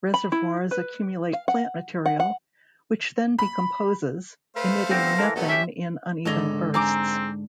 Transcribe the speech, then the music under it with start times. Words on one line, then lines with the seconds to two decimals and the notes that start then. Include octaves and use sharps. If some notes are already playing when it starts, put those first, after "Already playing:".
Reservoirs accumulate plant material, which then decomposes, emitting methane in uneven bursts.
0.14 B5
0.32 E4
0.71 B4
1.33 F5
1.48 F#5
2.06 F#5
2.20 F#5
3.39 B5
4.56 A3 B4 C5 F5
4.91 G1 E3 B3 C4 A#6
5.19 E3 A4 A#4
5.36 A#1 F#3 A3 B3 A4
5.49 C#4 G4 E5 B6
6.25 G#2 D3 A4 C#5 D#5
6.74 C4 G#4 A#5 D6